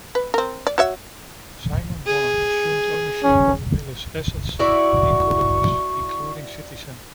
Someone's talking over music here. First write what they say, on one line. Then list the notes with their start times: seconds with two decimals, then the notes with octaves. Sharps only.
Simon won and assumed ownership of Mills' assets in Columbus, including City Center.
0.15 B4
0.34 C4 A#4
0.67 D5
0.78 F#4 C#5 E5
2.06 G#4
3.23 C#4
4.59 E4 F#4 D5 C#6